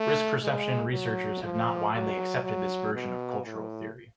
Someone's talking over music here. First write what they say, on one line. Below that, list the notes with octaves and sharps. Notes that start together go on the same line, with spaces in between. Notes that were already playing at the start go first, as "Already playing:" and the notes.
Risk perception researchers have not widely accepted this version of cultural theory.
Already playing: A3
G#3
F#3
F3
F#3
F#3
B2
A2